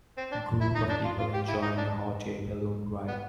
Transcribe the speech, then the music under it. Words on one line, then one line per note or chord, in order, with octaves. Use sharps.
A group of people enjoying a hot air balloon ride.
C4
D4
E4
D#4
D4
F4
F4
G4
E4
D#4
D4
B3